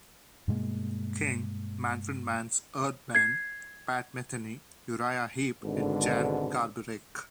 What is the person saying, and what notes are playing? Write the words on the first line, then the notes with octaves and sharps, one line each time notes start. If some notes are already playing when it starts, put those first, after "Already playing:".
King, Manfred Mann's Earth Band, Pat Metheny, Uriah Heep and Jan Garbarek.
G2 B2 G#3 A#3
G#6 C7
G#1 G#2 B2 D3